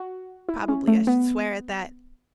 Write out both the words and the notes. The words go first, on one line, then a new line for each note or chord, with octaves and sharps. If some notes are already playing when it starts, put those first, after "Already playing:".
Probably I should swear at that.
Already playing: F#4
E4
C#4
A3
B3